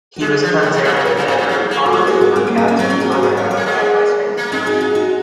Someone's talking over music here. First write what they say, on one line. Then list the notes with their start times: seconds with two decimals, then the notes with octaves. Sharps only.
He was Conservative Member of Parliament for County Fermanagh at Westminster.
0.16 F#4
0.20 G#3 F4 G#4
0.42 F3
0.63 D#3 A#4 C#5
0.74 C3
0.78 G#4 C5
0.85 A#2
0.92 C3 A#4 C#5
1.06 C3 A#4 C#5
1.17 C#3
1.20 C#5
1.28 C3 G#4 C5
1.38 A#2
1.49 F#3
1.71 A#3
1.86 F#4
1.93 G#3 F4 G#4
2.07 F#4 A#4
2.21 F4 G#4
2.36 G#3 C4
2.47 A#3
2.58 A#3
2.68 A#3 C#4
2.79 F#3 C4 D#4
2.90 C#4 F4
3.00 F4 G#4
3.12 F#4 A#4
3.23 G#4 C5
3.37 A#4 C#5
3.51 A#4 C#5
3.57 A#3
3.66 G#3
4.37 A#3
4.52 G#3 C4 D#4
4.66 D#4 F#4
4.81 F4 G#4
4.95 D#4 F#4